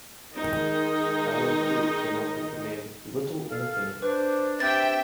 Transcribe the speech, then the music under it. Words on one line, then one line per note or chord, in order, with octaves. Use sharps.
Alan Freed came up with the name "Little Anthony".
D#3 G#3 D#4 D#5
A4 F5
D4 B4 C5
C4 D4 G4 E5 G5 A6